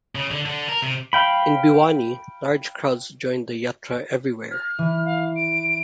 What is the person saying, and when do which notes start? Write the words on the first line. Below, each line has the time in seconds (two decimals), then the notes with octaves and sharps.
In Bhiwani, large crowds joined the Yatra everywhere.
0.15 C#3
0.31 D3
0.46 D3
0.69 A#4
0.82 C3
1.13 F5 G5 B5
4.51 F6
4.79 E3
5.05 F5
5.36 D7